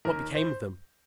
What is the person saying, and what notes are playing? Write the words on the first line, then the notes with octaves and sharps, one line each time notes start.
What became of them?
D#2 A#4
C5